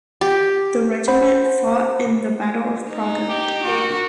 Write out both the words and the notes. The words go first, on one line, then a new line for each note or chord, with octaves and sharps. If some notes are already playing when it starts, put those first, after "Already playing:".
The regiment fought in the battle of Praga.
G4
C5 F#5 B5
D#4
G4
F#4 A#4